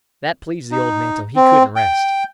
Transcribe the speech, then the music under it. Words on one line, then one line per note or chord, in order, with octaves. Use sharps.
That pleased the old man till he couldn't rest.
D#4
C4
G5